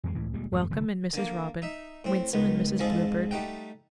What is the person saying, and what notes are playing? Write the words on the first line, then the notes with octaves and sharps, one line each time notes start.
Welcome and Mrs. Robin, Winsome and Mrs. Bluebird.
F2 E3 G#3
C#2 A2 E3
D2 A#2 G3 G#3
G#1 F2 G3 A3
F1 D3 F#3
D3 A#3
D#4 E5
A2 C4
C#2 D#3 B3
F2 G#2 F3 G#4 A4
G3 A3 D#4 F#5 G5